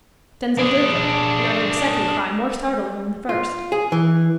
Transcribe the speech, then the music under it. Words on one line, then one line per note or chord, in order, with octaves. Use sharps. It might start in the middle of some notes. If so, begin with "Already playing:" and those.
Denzil did look, and uttered a second cry more startling than the first.
D4 G#4
F4
G#4
E3